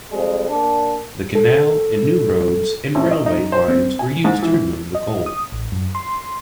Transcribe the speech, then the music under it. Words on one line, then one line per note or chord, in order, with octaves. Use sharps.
The canal and new roads and railway lines were used to remove the coal.
F2 G3 G#3
A#3 D4
A4
A1
D#5
D#4
C5
C4
G#5
G#2
E3
D#5
D#6
A1
F#2
C6